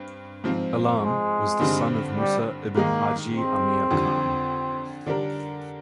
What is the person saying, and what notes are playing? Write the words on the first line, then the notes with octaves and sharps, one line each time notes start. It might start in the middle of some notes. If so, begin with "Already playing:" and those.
Alam was the son of Musa ibn Haji Amir Khan.
Already playing: G2 C4
G#2 F3 C4 F4
G#3
G2 D3 G3 C4
G3
G#2 D#3 G#3 A#3 D#4
C4
F2 D3 G3
D3 G3 D4 G4 A#4